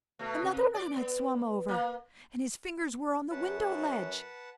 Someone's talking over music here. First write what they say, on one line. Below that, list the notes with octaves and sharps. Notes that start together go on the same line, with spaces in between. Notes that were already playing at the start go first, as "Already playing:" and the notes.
Another man had swum over, and his fingers were on the window-ledge.
B2 A3
C3
D5
B3
A#3
F#2 B4 C#5 F#5 A5